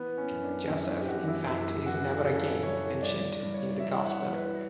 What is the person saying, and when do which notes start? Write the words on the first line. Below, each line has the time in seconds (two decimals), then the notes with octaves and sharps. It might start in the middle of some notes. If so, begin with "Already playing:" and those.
Joseph, in fact, is never again mentioned in the Gospel.
Already playing: E3 B3
0.18 C#4
0.31 F#2
0.44 D4
0.69 F#2 E4
0.88 E4
0.99 G4
1.08 F#2 F#4
1.28 E4
1.47 F#2 E4
1.86 E3 F#4
2.24 C#3 A4
2.63 E3 C#5
3.03 G2 D5
3.42 G2
3.54 C#5
3.80 E3 E5
4.06 F#5
4.19 E3
4.33 B4